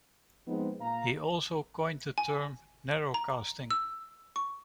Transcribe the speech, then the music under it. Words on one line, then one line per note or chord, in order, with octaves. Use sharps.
He also coined the term "narrowcasting".
F3 G#3 B3 C4 D#4
A#2 F5 A#5
G#5
A#5
E6
C#6